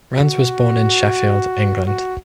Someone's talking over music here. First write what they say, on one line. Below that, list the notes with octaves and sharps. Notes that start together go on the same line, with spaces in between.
Rands was born in Sheffield, England.
F#4
F#4